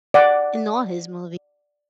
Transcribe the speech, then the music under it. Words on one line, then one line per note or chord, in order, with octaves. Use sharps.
In all his movie,
D5 F#5